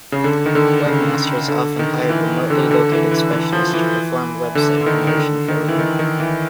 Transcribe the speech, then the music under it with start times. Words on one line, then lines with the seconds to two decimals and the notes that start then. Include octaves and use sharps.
Webmasters often hire remotely located specialists to perform website promotion for them.
0.12 C#3
0.24 D3
0.46 D#3
0.55 D3
0.86 C#3
1.48 D3
1.79 D#3
2.09 E3
2.50 D3
2.71 D3
2.92 E3
3.11 E3
3.33 E3
3.53 F3
3.74 E3
4.55 D3
4.81 D3
4.86 D#3
5.07 D#3
5.17 D3
5.48 D#3
5.68 E3
5.79 D#3
5.99 D#3
6.20 E3